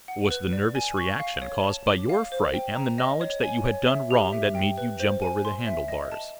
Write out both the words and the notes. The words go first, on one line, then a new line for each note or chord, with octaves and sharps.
It was the nervous reaction caused by your fright, and the knowledge that you had done wrong, that made you jump over the handlebars.
F#5
B4
D5
G#5
C#6
F5
C#5
A5
D6
F5
C5
G5
A#5
D#5
C#5
G#5
C#5
E5
G4
E5
G5
B4
C5
G#5
C6
E5
D#5
A5